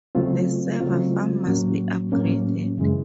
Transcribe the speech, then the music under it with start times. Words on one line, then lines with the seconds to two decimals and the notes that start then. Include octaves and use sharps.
The server farm must be upgraded.
0.15 C#3 F#3 A3 C4 F4
0.80 C#3 F#3 A3 C4 F4
1.46 A2 F#3 A#3 C#4
2.12 A2 F#3 A#3 C#4
2.77 F#2 C#3 E3 G#3